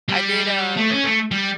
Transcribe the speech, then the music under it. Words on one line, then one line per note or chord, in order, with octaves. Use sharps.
I did, um
G3
A3
C#4
A3
G3